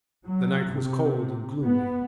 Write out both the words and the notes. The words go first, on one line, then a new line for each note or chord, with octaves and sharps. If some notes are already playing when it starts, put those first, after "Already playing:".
The night was cold and gloomy.
F#3
C3
B3